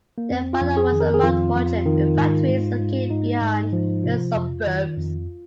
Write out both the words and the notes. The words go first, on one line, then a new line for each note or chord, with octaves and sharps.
Their father was a malt merchant with factories located beyond Prague's suburbs.
A#3
F2 C4
F4
F2
G#4
D#3
A#4
G#4
F2 F4
F2
D#3
G#2
G#2
G#2
G#2 D#4
G#2
F3
C3 F4
F2
D#3
F2